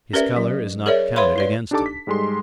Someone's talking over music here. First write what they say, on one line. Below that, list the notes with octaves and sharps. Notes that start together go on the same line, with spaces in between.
His color is not counted against him.
C#4 G4 A#4 B4 D5 E5
F#3
G#4 A#4 C#5 D5 E5
B4 C#5 E5 F5 B5 C6
E4 B4 D5
D4 D#4 G4 A4 A5 D6
B6
G#2 G3 G#3 A4 C6